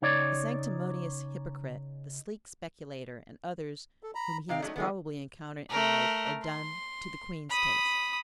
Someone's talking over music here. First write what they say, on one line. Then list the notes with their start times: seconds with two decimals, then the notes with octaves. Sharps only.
The sanctimonious hypocrite, the sleek speculator, and others whom he has probably encountered in life are done "to the queen's taste."
0.02 C#3 D#4 C#5 D5
4.03 A4
4.15 A#5 B5
4.49 C3 D#4 F5 G5
4.62 D3 F#3 A3
4.76 D3 E3 F3 G#3 B3
5.70 A3 A#4
6.43 C6
7.50 B5 D#6